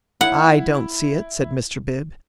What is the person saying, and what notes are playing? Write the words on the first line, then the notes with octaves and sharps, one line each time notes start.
"I don't see it," said Mr. Bib.
E4 F#5